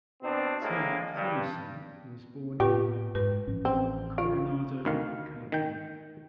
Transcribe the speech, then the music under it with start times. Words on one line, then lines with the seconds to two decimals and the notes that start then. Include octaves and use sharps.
Tim Thomerson was born in Coronado, California.
0.22 B2 C4 D4
0.61 A2 G#3 A#3
1.15 G2
2.60 A2 F4 G4 B4
3.15 G#2 B4
3.47 A1 F3 C#4
3.65 C4
4.18 F4 F5
4.85 D2 D#3 F5
5.52 D#3 G5